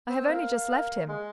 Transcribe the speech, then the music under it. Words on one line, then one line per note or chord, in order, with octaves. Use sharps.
"I have only just left him."
C4
A#3
G#3